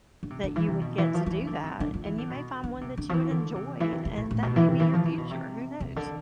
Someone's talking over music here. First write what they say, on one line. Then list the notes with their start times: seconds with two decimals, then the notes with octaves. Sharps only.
that you would get to do that, and you may find one that you would enjoy, and that may be your future. Who knows?
0.23 D3
0.30 C3
0.43 D3
0.56 E3
0.68 C3
0.81 B2
0.98 E3
1.14 F3
1.26 F3
1.30 E3
1.47 D3
1.63 C3
1.80 D3
1.94 F3
2.05 E3
2.18 D3
2.30 B2
2.64 D3
2.81 C3
2.97 D3
3.09 F3
3.14 E3
3.30 D3
3.55 C3
3.80 E3
3.92 C3
4.05 C3
4.17 A2
4.31 A2
4.43 B2
4.56 E3
4.68 C3
4.80 E3
4.93 F3
5.05 E3
5.18 B2
5.31 C3
5.80 C3
5.96 D3